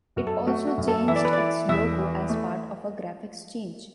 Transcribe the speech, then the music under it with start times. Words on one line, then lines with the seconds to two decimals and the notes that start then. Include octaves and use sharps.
It also changed its logo as part of a graphics change.
0.16 F#2 F#4
0.27 A4
0.47 A3 F#4
0.67 F#4
0.78 F#2
0.88 A4
1.08 E3 E5
1.16 D5
1.25 B4
1.33 E4 D5
1.69 E2 E5
1.99 E3
2.29 A3